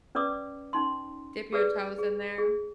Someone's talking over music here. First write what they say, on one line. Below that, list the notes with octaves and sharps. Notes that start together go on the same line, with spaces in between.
Dip your toes in there,
C#4 B4 D5 D6 D#6
C#4 D#4 C6
G#4 A4 B4 D5
G#4
G#4